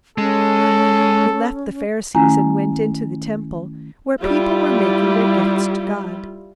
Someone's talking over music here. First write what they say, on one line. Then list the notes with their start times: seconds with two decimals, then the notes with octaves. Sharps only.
He left the Pharisees and went into the Temple, where people were making their gifts to God.
0.18 G#3 C#4 A4
2.15 D#3 A3 C#4 E4 G#5 A#5
4.22 G3 E4 F4